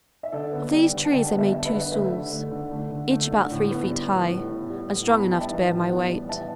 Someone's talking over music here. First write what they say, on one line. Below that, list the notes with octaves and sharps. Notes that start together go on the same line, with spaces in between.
Of these trees I made two stools, each about three feet high, and strong enough to bear my weight.
E5
D3 A4 D5
B3
G3 D5 G5
D3
A5
D3 D5 G5
B3
E5 A5
G3
B4 E5
D3
A3 B4 E5
D3
A3
D3
A3
D3
A3
D3
A2
B3
G3
A2
A2
B3
G3
A2
B3 B5
A5
G3 G5
E5 A5
E3
A2
B3
G3
E3 E5 A5